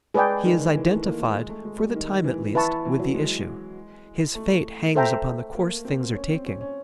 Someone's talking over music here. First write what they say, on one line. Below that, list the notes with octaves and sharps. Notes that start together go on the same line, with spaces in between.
He is identified, for the time at least, with the issue; his fate hangs upon the course things are taking.
G#3 G#4 B4 D5 G5
D#3
E3
A3
A#3
A3
G#3
A3
G#3
G3
D#3
E3
E3 B4 E5 A5 C#6
E3
F#3
G#3
A3
A4 C5 E5 G5 A#5
A#3
C4
C#4
C4
C#4
C#4